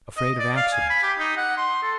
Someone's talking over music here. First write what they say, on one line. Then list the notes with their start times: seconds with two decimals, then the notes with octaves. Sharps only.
Afraid of accidents.
0.17 D#5
0.39 D5
0.57 F5
0.72 G#5
0.90 B5
1.03 G4
1.18 D#4
1.37 F#5
1.57 C6
1.83 A4